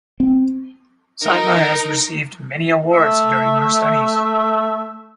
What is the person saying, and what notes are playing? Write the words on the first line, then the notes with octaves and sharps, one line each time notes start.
Saima has received many awards during her studies.
C4
D#4 A#4
A3 E5